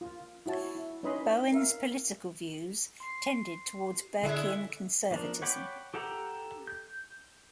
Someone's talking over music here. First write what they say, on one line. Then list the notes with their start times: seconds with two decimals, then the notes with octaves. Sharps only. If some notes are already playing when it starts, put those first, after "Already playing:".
Bowen's political views tended towards Burkean conservatism.
0.01 F4
0.46 E4 F#4 C#5 A5
0.75 E4
1.03 C#4 D#4 B4 D#5 B5 C6
1.52 A#4 E5 F5
3.00 C6 C7
4.23 D3 G#3 A3 E4 G#4 D5 E5
5.11 F3 A#3 D4
5.42 C#5 F#5 G5 B5 D6
5.94 G4 A4 F#5 G5 A#5
6.67 G6